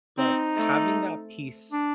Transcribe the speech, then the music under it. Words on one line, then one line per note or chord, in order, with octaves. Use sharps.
but having that piece
C4 D#4
A3
D4